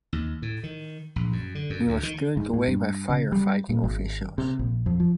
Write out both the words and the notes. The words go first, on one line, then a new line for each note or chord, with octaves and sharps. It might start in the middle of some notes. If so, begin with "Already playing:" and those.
He was turned away by firefighting officials.
D#2
A2
D#3
A#1
F#2
D3
F#2
D2
D#3
G#2
A2
G2
C#3
G3
A#2
G#1
C3
A#1
F2
F3